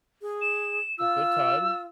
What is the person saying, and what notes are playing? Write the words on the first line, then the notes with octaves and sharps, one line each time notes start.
a good time,
G#4
E7
F4 E6